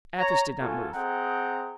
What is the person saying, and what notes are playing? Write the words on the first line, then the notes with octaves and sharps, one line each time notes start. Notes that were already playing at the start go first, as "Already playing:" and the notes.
Athos did not move.
C#5 A#5
A3 F4 F#4 A4 G#5
C4 G#4 D#5 F#5 G5 A#5